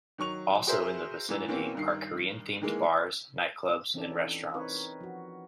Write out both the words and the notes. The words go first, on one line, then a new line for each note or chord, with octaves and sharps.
Also in the vicinity are Korean-themed bars, nightclubs, and restaurants.
D#3 F#3 C#6 F7
F#4 G#4 A#4 C5 E5
G#2 E3 E6
B2 E3 A#3 C4 C#4
G2 D#3 C7
D#3 E3 G#3 A#3
E3 C4 C#4 D#4 A4 D5
C4 D#4 A#4 B4 C#5
F3 F#4